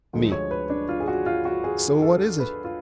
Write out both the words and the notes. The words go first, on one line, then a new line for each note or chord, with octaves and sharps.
ME: So what is it?
D2 D3 F3 G#3
C#5
B4
D4
F4
G#4
F#4
F4
F#4
G#4
A4
B4
F4